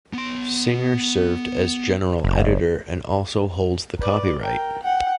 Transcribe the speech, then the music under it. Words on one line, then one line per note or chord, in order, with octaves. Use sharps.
Singer served as General Editor and also holds the copyright.
B3 C6
F#1
B4 D5
A#4 G5
F#5 G5